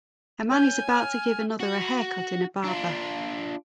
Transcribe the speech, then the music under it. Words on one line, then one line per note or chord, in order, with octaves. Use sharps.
A man is about to give another a haircut in a barber.
C#4 G#5 G6
F6
F#4
D4 F4